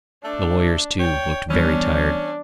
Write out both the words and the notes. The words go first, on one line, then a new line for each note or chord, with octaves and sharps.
The lawyers, too, looked very tired.
A3 D4
C#5 G5
E3 G3 B3 C#4 D4